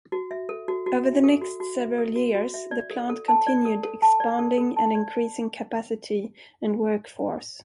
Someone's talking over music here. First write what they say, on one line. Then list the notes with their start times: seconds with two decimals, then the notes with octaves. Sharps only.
Over the next several years the plant continued expanding and increasing capacity and workforce.
0.12 F#4
0.31 E5
0.49 A4
0.68 F#4
0.86 F#4
1.05 E5
1.24 A4
1.42 F#4
1.60 F#4
1.80 E5
1.98 A4
2.16 F#4
2.35 F#4
2.54 E5
2.71 D5
2.91 A4
3.10 A4
3.28 A5
3.47 D5
3.65 A4
3.83 A4
4.02 A5
4.20 D5
4.39 A4
4.58 A4
4.76 A5
4.95 D5